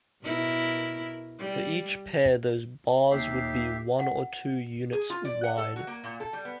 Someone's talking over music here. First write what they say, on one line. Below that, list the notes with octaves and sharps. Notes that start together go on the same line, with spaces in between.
For each pair those bars would be one or two units wide.
B2 E4 A#4
G3
D#2 G4 E5 C7
F#5
G#4
F4
D5
F#5
A4
F#4
A#3
A#2
A4
G3
B3